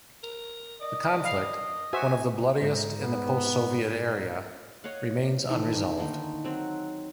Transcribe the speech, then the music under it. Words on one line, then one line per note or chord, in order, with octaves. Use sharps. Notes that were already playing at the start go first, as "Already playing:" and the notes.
The conflict, one of the bloodiest in the post-Soviet area, remains unresolved.
A#4
D5 D#5
F5
F#4 C5 E5 G#5
G#2
B3
C#5 D#5 F5 F#5
D#3 E3 A3 D#4
D3 D#3 A#3 D#4
F#3 C4 F#4